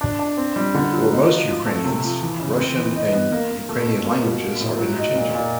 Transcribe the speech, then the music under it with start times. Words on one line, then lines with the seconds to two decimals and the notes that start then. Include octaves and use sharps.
For most Ukrainians, Russian and Ukrainian languages are interchangeable.
0.01 D4
0.19 D4
0.37 C4
0.56 G3
0.74 D3
0.93 F#3
1.11 D#4
1.29 F3
1.48 F3
1.66 A3
1.84 C3
2.03 F3
2.21 E3
2.40 C#3
2.58 C4
2.76 E3
2.95 D#4
3.13 B3
3.32 A#3
3.50 A#3
3.69 A3
3.87 B2
4.05 A#3
4.24 B2
4.42 A#3
4.61 A2
4.78 F#3
4.98 D#4
5.15 A#2
5.34 A#2